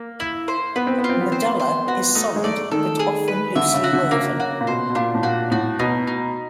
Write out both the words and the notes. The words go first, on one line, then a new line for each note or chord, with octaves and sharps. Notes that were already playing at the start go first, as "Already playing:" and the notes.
Medulla is solid, but often loosely woven.
Already playing: A#3
E4
C5
B3 B4
C4
B3
F4
C4
B3
C4 C5
B3
C5
B3 F#4
A3 D#4
G#3
A3 D5
D#3 A4
G#4
B4
D3 E5
C#3
F#4
D3
C#3 A#3
C#3 F#4
A#2
B2 C5
B2
A#2 D4
A2
A#2 F#4
A2 F#4
B2 D#4
D#4